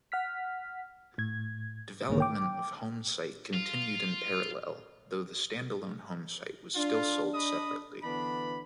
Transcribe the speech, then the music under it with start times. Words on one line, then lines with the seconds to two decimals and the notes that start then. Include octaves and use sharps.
Development of HomeSite continued in parallel, though the standalone HomeSite was still sold separately.
0.12 F#5 F6 B6
1.18 A2 G#6
2.08 B1 G#2 D3 D#3 A#3 C#5
2.20 G5 D6
3.54 F4
6.76 D4 F4
7.34 D#5 B5 D#6
8.03 D3 E3 B3 D4 B5